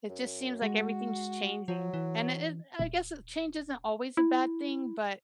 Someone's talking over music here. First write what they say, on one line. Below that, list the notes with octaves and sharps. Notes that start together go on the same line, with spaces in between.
it just seems like everything's changing, and it it I guess change isn't always a bad thing, but
F#2
G#3 F#4
F3 F#3
E3
D#1
E4